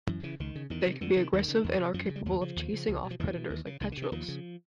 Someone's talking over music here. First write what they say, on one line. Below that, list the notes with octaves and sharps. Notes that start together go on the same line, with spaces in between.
They can be aggressive and are capable of chasing off predators like petrels.
F#2 E3
C#3 E3
C#2 D#3
C#3
E2 D#3
C3
F2 D3
C3 D#3
D#2 D#3
C#3
E2
C3
F#2 F3
F#3
C#3
G3
D#2 F#3
C#3 F3
D#2
C#3
C#2
B2
F3
E2 E3
B2
D#2
C#3
C2 D#3
D3
C3 D#3
D#2 F3
C#3